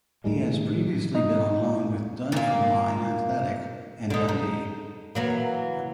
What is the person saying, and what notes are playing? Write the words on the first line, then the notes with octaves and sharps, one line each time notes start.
He has previously been on loan with Dunfermline Athletic and Dundee.
A2 D#3 G3 G#3
D#4
A#2 A#3
D3 D#4
D#4
E3 F#3 A#3